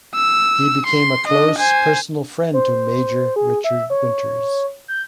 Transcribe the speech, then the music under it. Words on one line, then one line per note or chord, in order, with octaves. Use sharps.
He became a close personal friend to Major Richard Winters.
E6
C6
D4 D#5
C5 G#5
C5
G#4
E5
C#5
G6